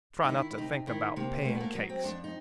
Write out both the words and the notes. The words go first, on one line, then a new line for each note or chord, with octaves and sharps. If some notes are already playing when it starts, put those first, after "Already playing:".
Try not to think about pancakes.'
D#4
D#3 E4
E4
C3 D#4
D#3 E4
C3 A#3
B3
A3 A#3
B3
A#3
F#3 B3
C4
F2 D4
D#4